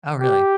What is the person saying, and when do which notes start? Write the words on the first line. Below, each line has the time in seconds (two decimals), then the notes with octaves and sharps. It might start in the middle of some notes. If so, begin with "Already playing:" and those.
Oh, really?
0.21 G4